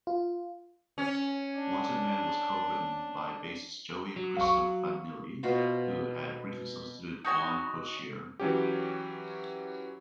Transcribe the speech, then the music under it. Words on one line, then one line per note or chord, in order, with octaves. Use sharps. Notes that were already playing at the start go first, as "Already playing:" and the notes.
"Wanted Man" was co-written by bassist Joey Cristofanilli, who had briefly substituted Juan Croucier.
F4
C#4
D4
F#3
F5 C#6
B2 F4 F#4 C5
D#4 F#4 C#5 G#5
E3 F#3 C#4 G4